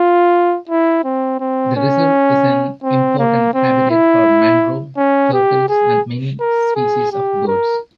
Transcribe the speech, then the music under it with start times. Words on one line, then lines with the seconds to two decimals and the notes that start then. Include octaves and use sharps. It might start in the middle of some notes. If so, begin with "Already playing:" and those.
The reserve is an important habitat for mangrove, turtles, and many species of birds.
Already playing: F4
0.69 E4
1.04 C4
1.40 C4
1.76 C#4
2.83 C4
3.19 A#3
3.54 C4
3.90 E4
4.97 C#4
5.33 G4
5.68 G#4
6.40 A#4
6.76 G#4
7.12 G4
7.47 A#4